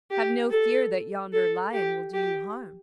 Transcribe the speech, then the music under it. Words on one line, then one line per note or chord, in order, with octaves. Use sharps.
Have no fear that yonder lion will do you harm.
G4
A4
A4
G4
G4